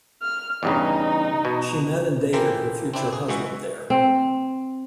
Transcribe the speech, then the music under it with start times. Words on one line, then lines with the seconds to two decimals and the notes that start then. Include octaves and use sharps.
She met and dated her future husband there.
0.22 F6
0.63 E2 G2 C#3 D#4
1.45 B2
2.33 E3 A#3 G4 A4 A#4 C5
2.94 C4 D4 E4
3.13 G#4
3.28 C#2 E3 G#3 F#4 E5
3.90 C4